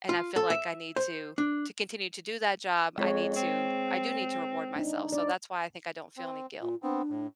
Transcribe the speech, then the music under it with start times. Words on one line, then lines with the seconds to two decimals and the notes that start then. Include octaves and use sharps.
and I feel like I need to to continue to do that job, I need to I do need to reward myself, so that's why I think I don't feel any guilt.
0.09 F4
0.36 A4
0.50 E5
0.96 C5
1.38 D4
2.98 F2 G#3 C#5
3.36 C4
4.76 D4 D#4
5.12 D4 D5
6.17 C4
6.61 A#2 F4
6.83 B3 C4 D4
7.10 A2